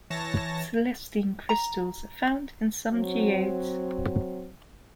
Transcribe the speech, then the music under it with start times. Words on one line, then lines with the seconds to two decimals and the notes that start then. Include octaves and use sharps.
Celestine crystals are found in some geodes.
0.10 E3 C#5 A5 A#6
1.49 A#5
2.92 F#3 C4